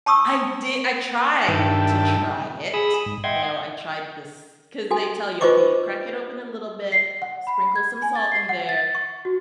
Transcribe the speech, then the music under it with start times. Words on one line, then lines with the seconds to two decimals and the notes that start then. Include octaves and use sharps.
I di I tried to try it, you know, I tried this 'cause they tell you, "Okay, you crack it open a little bit, sprinkle some salt in there,
0.06 A5 B5 C#6 D#6 E6
1.48 G2 D#3 E5 G5 A5
2.74 G#4 B5 D#6 E6
3.06 G#2
3.24 D#5 E5 F#5 G5 C6 G#6
4.91 F#4 A4 G#5
5.41 F4 B4 C5 D#5 C#6 D6
6.92 C7
7.22 F#5
7.47 B5
7.76 G#6
8.02 G#5
8.15 A6
8.32 C7
8.49 F#5
8.69 A6
8.95 C#6
9.25 F#4